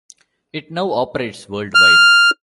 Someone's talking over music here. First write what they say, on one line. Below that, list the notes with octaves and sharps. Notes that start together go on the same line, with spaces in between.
It now operates worldwide.
F6